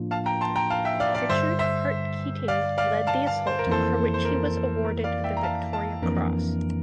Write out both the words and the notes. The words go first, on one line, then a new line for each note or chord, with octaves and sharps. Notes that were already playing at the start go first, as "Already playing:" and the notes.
Richard Harte Keatinge led the assault, for which he was awarded the Victoria Cross.
Already playing: A2 F3 A#3 D4 F4
F5 A5
G5 A#5
A5 C6
G5 A#5
F5 A5
E5 G5
D5 F5
D5 F5
G2 D3 G3 C5 E5
C5 E5
D5 F5
D5 F5
F5 A5
F5 A5
C5
A#4
F2 E3 A#3 E4 A4 C5
C5
A#4
A#4
D5 F5
E5 G5
A#5
F5 A5
F5 A5
F2 E3 A#3 D4 A#4